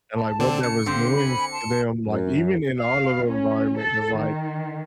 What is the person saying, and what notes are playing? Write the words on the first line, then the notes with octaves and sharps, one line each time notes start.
and, like, what that was doing to them, like, even in our little environment, 'cause, like
A5
D3 C4 D4
C#3 C#7
D3 C4 G4 F5 C6
G#5 B5
A5 C6
F#2
F5
C#4
A4
D#3